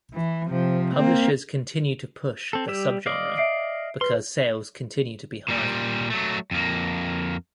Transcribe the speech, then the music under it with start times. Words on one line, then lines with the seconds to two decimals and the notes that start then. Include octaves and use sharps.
Publishers continue to push the subgenre because sales continue to be high.
0.14 E3
0.48 C3 F3
0.96 A#3 C4
2.53 C4 A4
2.68 G3 G4 E6
3.06 D5 D#5 F5
3.37 E5 C7 D7
4.01 B4 C6
5.48 A#2 G3
6.10 F#3 A3
6.51 F2 A#3